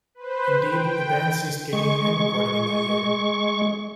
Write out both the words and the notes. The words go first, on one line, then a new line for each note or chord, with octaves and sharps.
Indeed, the band ceased gigging and recording in that year.
B4 C5
G5
G#3 C#6